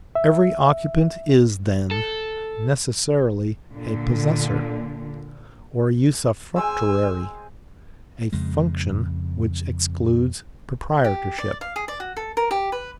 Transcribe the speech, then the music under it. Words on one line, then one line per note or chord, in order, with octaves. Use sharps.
Every occupant is, then, necessarily a possessor or usufructuary,--a function which excludes proprietorship.
E5
A4
A#2 D3
G#3 C4 G#4 G#5 E6
F2 C#3 G#3
G4
D5
F5
G#4
D5
F#4
A4
A#4
G4
B4